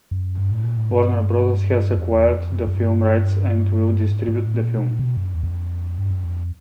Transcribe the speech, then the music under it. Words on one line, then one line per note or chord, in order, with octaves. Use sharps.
Warner Brothers has acquired the film rights and will distribute the film.
F#2
G2
A2
A#2
A2
G2
F2
E2
F2
F#2
F2
F#2
G2
G#2
G#2
A2
A#2
B2
A#2
C3
B2
F#2
E2
F2
G2
F#2
F2